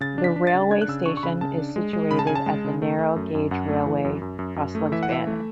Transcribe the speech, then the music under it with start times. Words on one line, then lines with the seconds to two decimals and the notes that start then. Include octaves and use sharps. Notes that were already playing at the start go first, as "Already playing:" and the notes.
The railway station is situated at the narrow gauge railway Roslagsbanan.
0.01 C#3 A6
0.18 D4
0.24 B6
0.36 D4
0.47 A6
0.54 C#3
0.71 D4 G#6
0.81 F#6
0.88 C#3 E6
1.06 D4 C#6
1.17 C#6
1.23 C#3 B5
1.41 C#3 A5
1.58 D4
1.76 G#3
1.93 G#3
2.11 C#3 B5
2.19 A5
2.27 C#3 G#5
2.35 A5
2.46 G#3
2.65 C#3
2.82 A3
2.98 A3
3.16 F#2
3.35 F#2
3.51 F#2 F#5
3.69 A3
3.86 E3
4.05 F#2
4.22 F#2
4.39 F#2
4.56 F#2
4.75 A3
4.92 E3 E5
5.03 F#5
5.09 E3 E5
5.27 A3